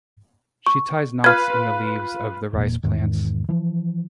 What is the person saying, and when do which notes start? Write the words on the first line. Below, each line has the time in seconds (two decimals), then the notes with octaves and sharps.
She ties knots in the leaves of the rice plants.
0.66 C#6
1.24 F4 B4 F6 G#6
2.53 E1 A#2
2.84 E2 G#2 D#3
3.49 E3 F3